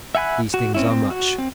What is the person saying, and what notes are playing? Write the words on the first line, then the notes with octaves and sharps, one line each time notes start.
These things are much.
E5 F#5 G#5 B5 F#6
F#4
C4 C#4 E4
C4
F#4
C4